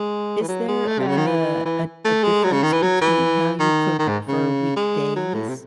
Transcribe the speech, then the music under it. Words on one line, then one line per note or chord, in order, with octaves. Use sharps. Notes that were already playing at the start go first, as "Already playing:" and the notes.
Is there, uh, a a difference between how you cook for weekdays
Already playing: G#3
E3
F#3
G#3
A3
C3
C#3
D#3
E3
E3
A3
G#3
F#3
C#3
D#3
E3
F#3
E3
D#3
D#3
G#2
C#3
G#3
F#3
A2
C3